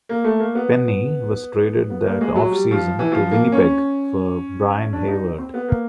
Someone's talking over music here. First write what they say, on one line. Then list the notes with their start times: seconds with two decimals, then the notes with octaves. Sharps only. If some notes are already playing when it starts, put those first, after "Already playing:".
Penney was traded that offseason to Winnipeg for Brian Hayward.
0.09 A#3
0.24 A3
0.40 A#3
0.55 B3
1.90 B3
2.05 A#3
2.21 G#3
2.36 F#3
2.51 G3
2.71 F3
2.99 E3
3.12 F3
3.31 A#3
3.52 C#4
4.93 D4
5.08 D#4
5.38 C4
5.54 B3
5.68 A#3